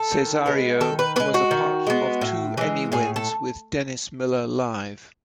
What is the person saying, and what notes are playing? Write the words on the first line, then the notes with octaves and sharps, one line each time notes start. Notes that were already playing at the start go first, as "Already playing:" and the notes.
Cesario was a part of two Emmy wins with "Dennis Miller Live".
Already playing: A4
D#3
G#3 B3
D#3 A4
B4
G#3 B3 B4
F#4
D#3
G#3 B3
A2
E3 G#3
A2 G#4
A4